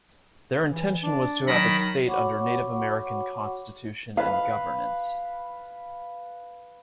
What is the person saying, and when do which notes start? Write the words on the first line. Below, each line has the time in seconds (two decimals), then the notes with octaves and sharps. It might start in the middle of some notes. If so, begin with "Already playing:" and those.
Their intention was to have a state under Native American constitution and governance.
0.70 E3
1.03 D4
1.47 D#3 F#3 B5 A#6
2.07 F#4 C#5 F#5 B5 C#6 D6
4.17 B4 F5